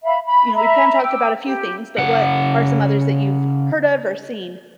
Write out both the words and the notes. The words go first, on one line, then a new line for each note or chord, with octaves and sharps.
you know, we've kind talked about a few things, but what are some others that you've heard of, or seen?
E5 F5 B5
B5
E5 A#5 B5
G5 D6 E6
G4
C#3 F#5